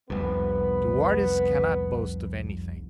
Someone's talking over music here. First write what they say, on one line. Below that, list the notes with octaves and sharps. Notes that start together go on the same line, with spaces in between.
"De Wardes cannot boast of anything."
F1 C2 B3 B4